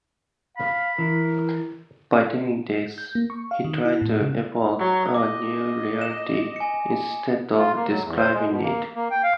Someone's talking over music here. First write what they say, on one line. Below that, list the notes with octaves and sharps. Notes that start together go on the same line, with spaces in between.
By doing this, he tried to "evoke" a new reality, instead of describing it.
F5 B5
E3 A#4
G6
A#3
C#6
F5
D#3
E4
A2
C#3
F#3
D#5 D6
E7
G#5 C#7
F4
A#3
F#3
E2
C5
G#3
B2
A#3
A#3
G5
F5